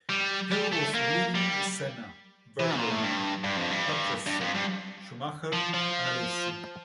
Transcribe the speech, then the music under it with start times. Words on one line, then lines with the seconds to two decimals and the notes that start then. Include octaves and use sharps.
Hill was leading Senna, Berger, Patrese, Schumacher and Alesi.
0.09 G3
0.51 G3
0.72 A3
0.94 A#3
1.35 G3
2.60 E3
2.77 A#2
2.90 A2
3.03 G2
3.44 G2
3.57 F2
3.71 G2
4.27 G2
4.41 F2
4.55 G2
5.52 F3
5.74 F3